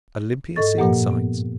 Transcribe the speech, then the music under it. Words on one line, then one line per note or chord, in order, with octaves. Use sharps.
Olympia seeing sights?
G#2 A4 D#5 C#6 A6
G2 A#2 F3 A#3 G4 F#5
B3